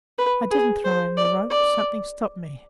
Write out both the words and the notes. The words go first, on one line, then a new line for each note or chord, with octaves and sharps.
I didn't throw him the rope; something stopped me.
B4
G#4
C5
D5
D5